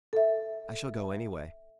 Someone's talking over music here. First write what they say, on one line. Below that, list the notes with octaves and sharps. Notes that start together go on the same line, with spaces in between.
I shall go anyway.
A4 E5